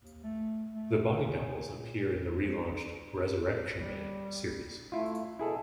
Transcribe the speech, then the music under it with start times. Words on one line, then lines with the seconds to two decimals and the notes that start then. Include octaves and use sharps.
The Body Doubles appear in the relaunched "Resurrection Man" series.
0.01 D#2
0.24 A3
0.73 A3
1.16 G#4
1.77 A#2
2.42 F3
3.75 G3
4.92 A3 E4 F4
5.39 B2 E4 G#4 A4